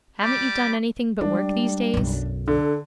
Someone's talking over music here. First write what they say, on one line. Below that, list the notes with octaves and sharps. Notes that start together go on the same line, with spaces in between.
'Haven't you done anything but work these days?'
G3 B5 D6
G3 G#3 D4
B1 F#2
D3 A4